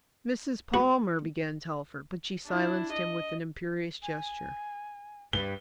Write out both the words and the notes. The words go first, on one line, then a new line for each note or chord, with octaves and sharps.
"Mrs. Palmer," began Telford, but she silenced him with an imperious gesture.
F#4
D4 E4
D#5
G#5
G2 B4 G7